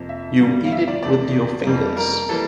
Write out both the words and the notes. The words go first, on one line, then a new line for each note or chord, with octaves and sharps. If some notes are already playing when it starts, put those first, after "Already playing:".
You eat it with your fingers.
Already playing: F2 C3 F3 A#3
E5
G2 D3 G3 A#3
F5
E5
D5
E2 C3 E3 A3 D5
F2 E3 G3 A#3
A#4
E3 G3 A#3 A4